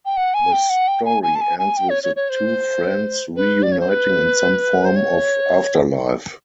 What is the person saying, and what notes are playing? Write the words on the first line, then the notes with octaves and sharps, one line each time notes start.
The story ends with the two friends reuniting in some form of afterlife.
G5
F#5
G#5
G5
F#5
G5
G#5
G#5
A5
G#5
G#5
G5
C#5
C#5
C#5
C5
B4
D5
C#5
C5
B4
C5
C#5